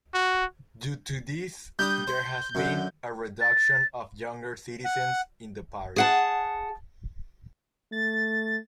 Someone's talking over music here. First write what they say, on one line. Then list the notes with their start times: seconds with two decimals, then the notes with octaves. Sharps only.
Due to this, there has been a reduction of younger citizens in the parish.
0.14 F#4
1.79 G3 D4 D#6 G6
2.08 C5
2.55 F#2 D3
3.41 A6
4.85 F#5
5.96 G#4 F#5 A5
7.92 A3 A6